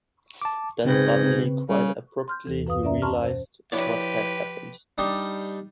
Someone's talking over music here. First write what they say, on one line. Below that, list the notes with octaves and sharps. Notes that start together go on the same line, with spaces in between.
Then suddenly, quite abruptly, he realised what had happened.
A5 D6
G#2 C#3 C4 B4
C#3 G3
C6 F6 G6
D#2 E3 A4
F#2 B4 F5 D#6
B2 C#4 A#4 D5 E5 A#5
A5 A#5 C6 C#6 F6
C5
F3 E4 G4 B4 C#5 D5
G3 D4 D#4